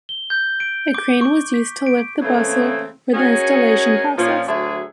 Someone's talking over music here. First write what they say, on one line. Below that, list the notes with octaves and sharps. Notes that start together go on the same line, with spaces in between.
A crane was used to lift the bustle for the installation process.
G7
G6
D7
D6
C#6
B6
D7
C#3 E3 A3 A#3 C4
C#4 D#4 F#4 G#4 A#4 C#5
A#2 F3 C#4
D2 F#3 G#4 E5